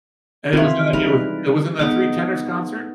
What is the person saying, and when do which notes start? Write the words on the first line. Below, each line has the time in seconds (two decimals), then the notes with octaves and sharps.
And it was in, uh, it was it was in the Three Tenors concert,
0.53 E3 C4 F4 B4 C5
0.93 G3 G#3 D#4 A#4 B4
1.79 G#3 B3 D#4 D6